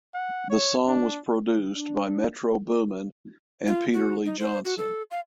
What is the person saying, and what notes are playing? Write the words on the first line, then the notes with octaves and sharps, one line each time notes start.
The song was produced by Metro Boomin and Peter Lee Johnson.
F#5
C#5
D4
D4
F4
F#4
D#4
C5
F#4
A4
F5